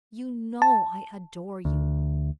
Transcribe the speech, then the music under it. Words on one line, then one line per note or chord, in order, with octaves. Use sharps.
You know I adore you.
A5
D2